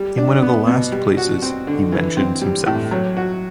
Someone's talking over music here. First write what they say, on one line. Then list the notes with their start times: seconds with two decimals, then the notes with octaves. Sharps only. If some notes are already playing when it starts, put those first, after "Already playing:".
In one of the last places, he mentions himself.
Already playing: G3
0.17 D4
0.42 B3
0.67 B2
0.92 G3
1.17 F#4
1.42 C4
1.67 D3
1.92 E3
2.17 C4
2.42 G3
2.66 A2
2.91 F#3
3.17 F#4